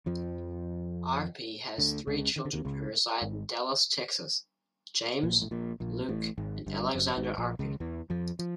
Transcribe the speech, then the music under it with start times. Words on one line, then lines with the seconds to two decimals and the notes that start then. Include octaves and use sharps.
Arpey has three children who reside in Dallas Texas: James, Luke, and Alexandra Arpey.
0.06 F2 F3
1.78 D2 D3
2.07 C#2 C#3
2.36 D#3
2.45 D3
2.53 D#2 D#3
2.65 C#2 C#3
3.21 G#1 G#2
5.23 A#1 A#2
5.42 A2
5.51 A#1 A#2
5.80 A#1 A#2
6.09 A1 A2
6.38 G#1 G#2
6.66 G1 G2
6.94 F#1 F#2
7.17 G#1 G#2
7.38 A#1 A#2
7.59 C#2 C#3
7.80 E2 E3
8.10 F2 F3
8.39 F3